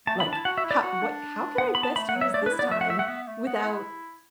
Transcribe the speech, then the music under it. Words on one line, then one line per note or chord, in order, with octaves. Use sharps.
like, "How what how can I best use this time without"
A3 A5
B3
B5
D4
A5
E4
F#4 F#5
E5
E4
D5
F#4 F#5
D4
B3 F#5
B5
A5
A3 B5
F#5
F#3
E5
A3 D5
D4
B4
E4
B3 D5
A3 E5
F#5
E5
F#5
B3 E5
A3
B3 F#5
E4